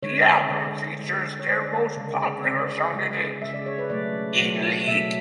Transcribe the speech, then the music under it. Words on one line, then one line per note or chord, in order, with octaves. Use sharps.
The album features their most popular song to date, "In League".
D3 G#3 C#5
D3 G#3
D3 G#3
C#5
D3 G#3 D5
C#3 G#3
C#3 G#3 D5
C#3 G#3
C#3 G#3 E5
D5
C#5
B4
B2 F#3 A3 D5
B2 F#3 A3
B2 F#3 A3 E5